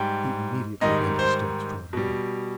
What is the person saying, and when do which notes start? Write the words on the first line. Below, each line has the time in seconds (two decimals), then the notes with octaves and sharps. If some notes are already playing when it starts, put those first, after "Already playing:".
He immediately bent his steps toward home.
Already playing: G#2 G3 G5
0.81 G#2 D#3 G3 D#5
1.19 C5
1.93 B2 G3